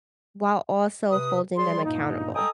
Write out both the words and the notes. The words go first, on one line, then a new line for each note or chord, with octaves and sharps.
while also holding them accountable.
C3 B4 D#6
F3 G3 G#4 D5 C6
G2 A#2 A#3 D#4
A4 D#5 G5 G#5 A#5 D#6